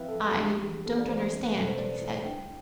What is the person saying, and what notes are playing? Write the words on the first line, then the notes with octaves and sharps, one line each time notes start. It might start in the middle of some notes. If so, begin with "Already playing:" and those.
"I don't understand," he said.
Already playing: F3 C4 E4 B4 E5 F5 G5
A4
F3
A4
D4 G4
E3
B3 A4
D5
E3 C5
C4
B4
B2 A4
C5
G3 D5
E4
D4 G5